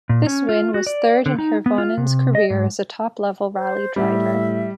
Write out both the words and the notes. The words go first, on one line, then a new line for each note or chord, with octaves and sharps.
This win was third in Hirvonen's career as a top level rally driver.
A#2
C#4
F4
F#4
D5
D3
D#4
B3
F4
C3
D#5
G#2
C5
A2 G3 E5